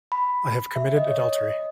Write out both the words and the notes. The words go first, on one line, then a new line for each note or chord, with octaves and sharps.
I have committed adultery.
B5
E5
D#5
C#5
D#5
D#5